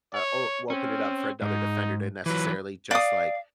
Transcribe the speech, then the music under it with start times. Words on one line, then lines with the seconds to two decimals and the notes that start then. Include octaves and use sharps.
uh, or open it up for another defender to necessarily just like
0.13 C#5
0.70 C4 C#4
1.42 G#2 D#4
2.26 E3 F#3 B4
2.91 D5 F5 D#6